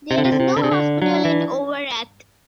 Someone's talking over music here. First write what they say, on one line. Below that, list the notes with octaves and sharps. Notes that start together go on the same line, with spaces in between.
There is no hospital in Overath.
C3 C4
D3
C3
D3
C3
D3 D4
C3
D3
F#3 D4
E3